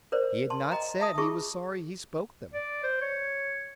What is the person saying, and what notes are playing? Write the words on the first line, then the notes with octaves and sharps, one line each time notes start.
He had not said he was sorry he spoke them.
A#4 C5 D5
A5 C6
D#5 G5 A#5
E5 A5 D#6
F4 G#4 A5 C#6
D5
C5
C#5